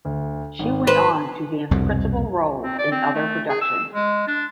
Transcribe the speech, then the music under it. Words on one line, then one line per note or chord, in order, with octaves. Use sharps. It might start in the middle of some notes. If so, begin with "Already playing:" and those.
She went on to dance principal roles in other productions.
D2
G#1
B4 C5
C2 F2 B2
C4
D5
C4
A3
G#4
E6
G#3
D4